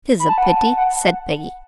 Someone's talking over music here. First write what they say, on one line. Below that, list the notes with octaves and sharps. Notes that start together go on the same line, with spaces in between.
"It is a pity," said Peggy.
B5
A5
F#5
A5
F#5